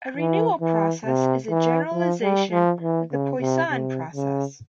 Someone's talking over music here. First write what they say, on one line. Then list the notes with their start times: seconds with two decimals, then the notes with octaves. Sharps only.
A renewal process is a generalization of the Poisson process.
0.17 E3
0.61 E3
1.05 C3
1.49 E3
1.92 F3
2.22 G3
2.51 F3
2.81 E3
3.11 C#3
3.40 C3
3.70 C3
4.13 C#3